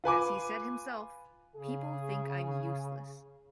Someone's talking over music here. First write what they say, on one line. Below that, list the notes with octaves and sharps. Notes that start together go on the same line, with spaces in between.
As he said himself: People think I'm useless.
F4 B4 G#5 D6
C#3 G#4